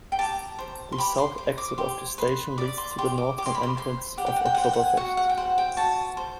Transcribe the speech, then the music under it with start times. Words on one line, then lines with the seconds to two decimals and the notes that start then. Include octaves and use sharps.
The south exit of the station leads to the northern entrance of Oktoberfest.
0.12 G5
0.19 G4 A5
0.59 C5
0.92 C6
0.98 G4 B5
1.18 C6
1.38 C5
1.58 D6
1.78 G4 C6
2.18 B4 C6
2.58 D5 D6
2.78 C6
2.98 G4 C6
3.18 D6
3.38 G4 D6
3.46 C6
3.55 B5
3.63 C6
3.77 C5 C6
4.18 G4 F#5
4.26 G5
4.36 F#5
4.46 G5
4.55 C5 F#5
4.64 G5
4.73 F#5
4.97 F#4 F#5
5.17 F#5
5.30 G5
5.37 C5 F#5
5.58 G5
5.77 F#4 A5
6.17 C5